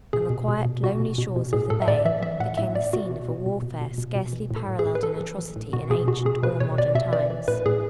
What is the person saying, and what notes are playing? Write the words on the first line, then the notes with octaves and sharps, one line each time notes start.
And the quiet, lonely shores of the bay became the scene of a warfare scarcely paralleled in atrocity in ancient or modern times.
B2 G#4
B2
B2
B2
B2 F#4
B2
B2
B2
A2 G#4
A2 A4
E5
A2 D5
E3 E5
E3 E5
A2 F#5
A2 E5
A2 D5
B2 F#4
B2
B2
B2
B2
B2
B2
B2
E3
A2
A4
A2
G#4
A2
B4
E3 A4
E3
E3
A2
B2 F#4
B2 G#4
B2 F#4
B2 G#4
B2 B4
B2 C#5
B2 D5
B2 E5
E3 D5
E3
A2 B4
A2 G#4